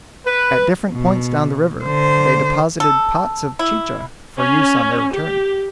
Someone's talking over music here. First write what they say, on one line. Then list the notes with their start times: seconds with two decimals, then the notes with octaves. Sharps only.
At different points down the river they deposited pots of chicha for use on their return.
0.26 B4
0.92 B2
1.84 D3 C5
2.80 A4
3.59 E4
4.37 C#4
5.13 G4